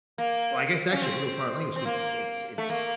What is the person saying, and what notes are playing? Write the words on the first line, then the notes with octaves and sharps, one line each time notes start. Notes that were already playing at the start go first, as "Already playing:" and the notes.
well, I guess actually a literal foreign language 'cause it's it's it's
A#3
C#4
C4
C4
A#3
A3
A#3